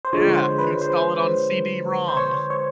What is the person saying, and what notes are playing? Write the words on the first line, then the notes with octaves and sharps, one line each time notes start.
Yeah, you install it on CD-ROM.
C5
D3 F3 G#3 C#5
C5
B4
C5
C5
C#5
C#5